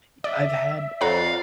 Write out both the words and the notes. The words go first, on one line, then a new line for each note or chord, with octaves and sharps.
Y I've had
D5 E5
F2 C#5 D5 F5 F#5 A#5